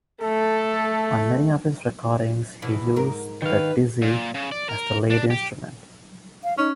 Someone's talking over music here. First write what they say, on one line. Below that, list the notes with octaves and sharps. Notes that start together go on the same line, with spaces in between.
On many of his recordings he uses the "dizi" as the lead instrument.
A3 A4
E2 B2 E3
G#2 A#4
D#3 B4 F5
A#2
C#3
D5
A#4
D4
G4
F5
C#4 D#4